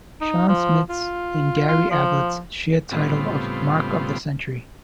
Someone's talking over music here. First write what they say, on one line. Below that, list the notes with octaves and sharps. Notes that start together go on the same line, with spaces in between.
Shaun Smith's and Gary Ablett's shared title of "Mark of the Century".
D#4
F3
F4
F4
F3
A2 C#3 G3 B3 C4 F4